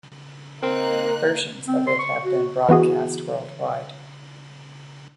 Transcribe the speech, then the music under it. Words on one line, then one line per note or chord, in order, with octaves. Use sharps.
Versions of it have been broadcast worldwide.
A#3 C4 D#4 A#4 A#5 C6 F#6
C4
C6
C#6
F#4
E3 B3 F#4 G#4